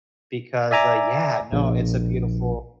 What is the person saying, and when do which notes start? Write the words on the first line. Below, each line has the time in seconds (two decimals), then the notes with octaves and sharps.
because, uh, yeah, no, it's a beautiful
0.71 D5 E5 G#5 A#5 D6
1.53 A#1